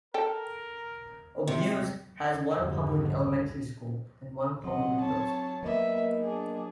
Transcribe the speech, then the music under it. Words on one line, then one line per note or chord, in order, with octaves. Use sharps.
Obuse has one public elementary school and one public middle school.
A4 A#4 G5
C3
C2 F2 G#2 D3 G3 B3
F#3 C4 D#5 F#5
C#5 A5
F#3 A#3 B3 A#4 B4 D#5 E5
D4 G#4